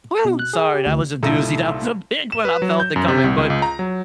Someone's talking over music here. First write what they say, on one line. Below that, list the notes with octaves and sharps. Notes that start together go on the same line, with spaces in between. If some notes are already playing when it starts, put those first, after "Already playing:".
Whoo! Sorry, that was a doozy. That was a big one! I felt it coming. But
B2
F#6
G#4
G4
D2
C2 A#2 D#4 E4 A4
E7
B4
F#3
G6
F#2
C3
C2
C#2
C#2
A#5
F#3